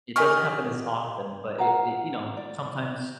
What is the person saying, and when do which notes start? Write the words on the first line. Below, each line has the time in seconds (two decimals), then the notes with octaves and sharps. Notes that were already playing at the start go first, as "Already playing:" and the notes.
it doesn't happen as often, but it it you know, sometimes,
0.16 G4 A#4 D#5 G#5 C#6 F6
1.59 F5 F#5 A#5
2.37 D5